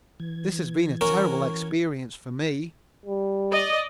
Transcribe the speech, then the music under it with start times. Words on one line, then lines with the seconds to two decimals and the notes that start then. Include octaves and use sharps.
"This has been a terrible experience for me."
0.20 E3 G#6
1.01 C#4 F#4 A#4
3.06 G3
3.51 D5 D#5